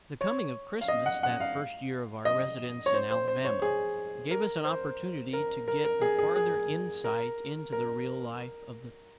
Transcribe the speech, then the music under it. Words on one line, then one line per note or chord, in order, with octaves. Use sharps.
The coming of Christmas, that first year of our residence in Alabama, gave us an opportunity to get a farther insight into the real life of the people.
C#5
F5
D#5
F#5
F#5
F5
D#5
C#5
C5
C5
C5
C#5
G#4
A#4
C5
A#4
A#4
A#4
G#4
G#4
G#4
A#4
A#4